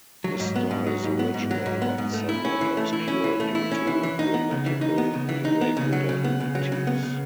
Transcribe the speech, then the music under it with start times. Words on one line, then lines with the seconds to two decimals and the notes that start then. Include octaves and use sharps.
His style is original, but somewhat obscure due to grammatical irregularities.
0.24 F#3
0.40 G#2
0.56 B3
0.71 G#2
0.86 F#3
1.03 G#2
1.19 B3
1.34 G#2
1.51 F#3
1.66 G#2
1.82 B3
1.98 G#2
2.13 A3
2.29 E4
2.45 C#4
2.61 E3
2.77 A3
2.93 E4
3.08 C#4
3.24 E3
3.40 A3
3.55 E4
3.72 C#4
3.87 E3
4.03 E3
4.19 D#4
4.34 B3
4.51 C#3
4.66 E3
4.81 D#4
4.98 B3
5.14 C#3
5.29 E3
5.45 D#4
5.61 B3
5.77 C#3
5.93 F#3
6.09 C#3
6.24 B3
6.40 C#3
6.55 F#3
6.72 C#3
6.87 B3
7.03 C#3